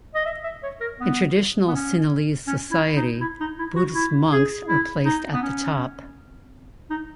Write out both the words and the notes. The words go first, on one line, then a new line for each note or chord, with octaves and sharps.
In traditional Sinhalese society Buddhist monks are placed at the top.
D#5
E5
E5
C#5
A#4
B3
B3
C#4
C#4
E4
D#4
E4
D#4
E4
F#4
E4
G#4
E4
D#4
B3
C#4
D#4